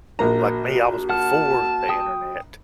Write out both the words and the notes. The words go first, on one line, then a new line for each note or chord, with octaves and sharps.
like me, I was before the internet,
A#1 A#3 F#4 A#5
F#5 A5 F6
G5 D#6